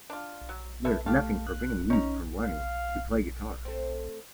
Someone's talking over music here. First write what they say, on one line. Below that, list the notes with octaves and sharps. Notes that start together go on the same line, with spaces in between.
There's nothing preventing you from learning to play the guitar.
D4 F4
F#3
A4 B4 E5
A3 G4 F5
F#6
C#4 D#4 A#5
F5
A3 C4